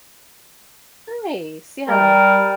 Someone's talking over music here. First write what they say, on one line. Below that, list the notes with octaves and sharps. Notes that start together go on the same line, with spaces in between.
Nice, yeah.
G3 A#4